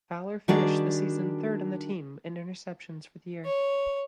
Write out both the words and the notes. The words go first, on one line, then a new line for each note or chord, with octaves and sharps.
Fowler finished the season third on the team in interceptions for the year.
D#3 G3 D4 F#4 G#4 D5
C#5